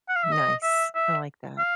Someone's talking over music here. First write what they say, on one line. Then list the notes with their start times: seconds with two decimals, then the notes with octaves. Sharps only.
Nice, I like that.
0.09 F#5
0.16 F5
0.24 E5
0.32 D#5
0.63 E5
0.95 E5
1.58 F5